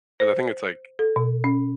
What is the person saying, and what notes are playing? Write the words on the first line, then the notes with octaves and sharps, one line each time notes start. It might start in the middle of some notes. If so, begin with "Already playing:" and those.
'cause I think it's like
C5
A4
B2
C#4